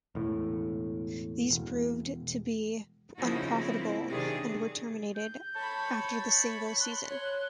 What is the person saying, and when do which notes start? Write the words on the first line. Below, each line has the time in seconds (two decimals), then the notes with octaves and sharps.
These proved to be unprofitable and were terminated after the single season.
0.15 E1 A2
1.51 E1
3.18 C#3 F3 A#3 D#4 E4 F#4
3.56 A#3 C4 E4
4.08 C3 D#3 F#3 D4 G#4
5.15 G6
5.56 C#5 A5 B5
6.81 C6 F#6
7.11 C#5